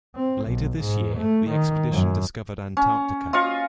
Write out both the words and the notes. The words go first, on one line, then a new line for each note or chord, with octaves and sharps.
Later this year the expedition discovered Antarctica.
C4
B1
G#2
A3
D#3
F#2
C#4
F4 D#5 F5 C#6